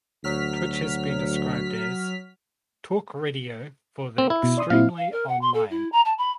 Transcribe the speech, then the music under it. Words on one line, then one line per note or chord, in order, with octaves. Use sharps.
Twitch has been described as "talk radio for the extremely online".
D2 F#3 F6 B6
C4
E4
B2
D5 C6 D#6
A#2 C4 E4 F5
F5
A#4
F#5
C6
A4
E4
A#5
A5
B5